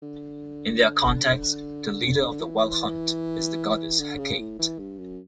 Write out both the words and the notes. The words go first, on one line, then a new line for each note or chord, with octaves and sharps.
In their context, the leader of the Wild Hunt is the goddess Hecate.
D3
E3
D3
C#3
A2
E3
G2
F#2